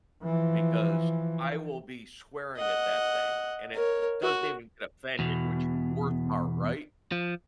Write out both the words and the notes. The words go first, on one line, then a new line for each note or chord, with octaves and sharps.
because I will be swearing at that thing. And it doesn't even get offended, which is the worst part, right?
E3 F3
D#5 F#5
A#4 C#5
F#4
E2 B2
F3